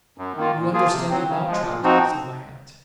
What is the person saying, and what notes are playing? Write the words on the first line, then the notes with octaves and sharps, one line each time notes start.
'You understand it now, Trot,' said my aunt.
F#2
D#3 A#3 F4
A#2
F3 A#3 F4 G#4
C3
F#3 C4
C#3
F3 G#3
A#2
F3 C4 D#4 F#4